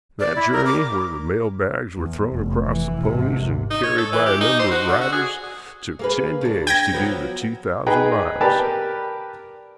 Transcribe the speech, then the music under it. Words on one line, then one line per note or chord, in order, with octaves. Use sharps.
That journey, where the mail bags were thrown across the ponies and carried by a number of riders, took ten days to do the two thousand miles.
D5
E4
A#4
D6
E2
F1
E3
G#1 C3
D#4
C#5
A4
E3
G4
D#4
C5
F#4
D3
F#4
G#4
A#3 G#4 B4
C#3 D4
G5 G#6 A#6
F3 F#3 B3
D#4 G#4 B4 G5 A#5
G4 A#4 B4 D5 G5 A5